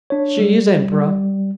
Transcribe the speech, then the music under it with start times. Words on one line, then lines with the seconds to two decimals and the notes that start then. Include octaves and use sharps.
"She is emperor."
0.10 D4 C#5
0.39 G3
0.92 G3